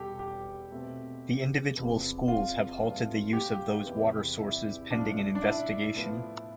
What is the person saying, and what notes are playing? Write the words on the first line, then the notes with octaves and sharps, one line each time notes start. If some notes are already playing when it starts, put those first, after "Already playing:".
The individual schools have halted the use of those water sources pending an investigation.
Already playing: E2 B2 G3 G4 A4
G4
B2 A3 C4
E2 C3 F3 C4
F4
G2 F3 A3 C4
G4
E2 C3 E3 B3
E4
A2 F3 A3 D4
D4
E4
A2 F3 B3